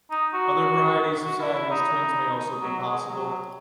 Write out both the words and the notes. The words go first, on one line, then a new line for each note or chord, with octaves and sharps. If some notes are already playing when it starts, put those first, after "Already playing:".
Other varieties of Siamese twins may also be possible.
D#4
F#4
F#4
E4
E4
D#4
F#3
G#3
F#3